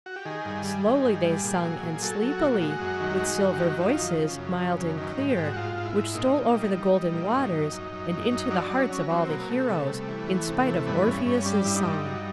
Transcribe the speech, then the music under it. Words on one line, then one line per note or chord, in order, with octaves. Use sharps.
Slowly they sung and sleepily, with silver voices, mild and clear, which stole over the golden waters, and into the hearts of all the heroes, in spite of Orpheus's song.
F#4
G4
D#3 G#4
G2
G3
D#3
G2
G3
A#2
F#3
A#2
F#3 A4
F#3
F#4
A#2
G#3 F#4
F#2
D#3
G#3
F#2
D#3 G4
F#4
F#2 F4
F3 D#4
C#3
F#2
C#3
F#2
D#3
G#2
G4
G#2
F#4
G#2 F4
G#2
E4
G#2
A#2 D#4
A#2
G3
G3 D#4
G3
A#2
F#2
F#2
F#2
F#2
F#2
F#2
F#3 D4
F#3
C#4
F#3
F#3 C4
B2 A#3
A#3
B2 A3
C3
G3
E3
E2
C3
E3
G2 B3
G2 C#4
G2 C#4
G3 D4
G2 E4
D#4
G2
F#3